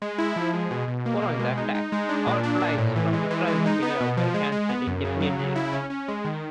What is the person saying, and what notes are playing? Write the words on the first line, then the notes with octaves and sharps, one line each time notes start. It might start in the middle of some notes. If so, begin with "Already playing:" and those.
Following the attack, all flights from Israel to Kenya were cancelled indefinitely.
G#3
E4
F3
G#3
B2
B2
A#3
B2
G#3
D#4
D#4
G#3
D4
A#2
D4
A#2
A2
E3
G#3
E3
G#3
D#4
B3
B2
F3
G#3
G#3
B3
F#2
C#3
F#3
C#3
E4
C#4
C#4
G#3
D#3